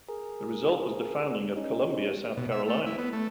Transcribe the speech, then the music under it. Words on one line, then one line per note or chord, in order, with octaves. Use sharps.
The result was the founding of Columbia, South Carolina.
G#4 A#4
C#4 D#4
B2
E5
A3
E4
B3
A3